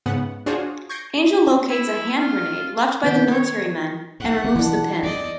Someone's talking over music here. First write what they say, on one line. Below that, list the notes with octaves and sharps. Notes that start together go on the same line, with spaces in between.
Angel locates a hand grenade left by the military men and removes the pin.
G#2 C#3 B3 F#5
D4 F4 F#4 G#4 C5 C#5
C#6 G6 G#6 A#6 C7 D7
E4
F4
D#3 B3 G4
C#5
B1 G#2 F#5
E3 D4 F4
E2 D5 D#5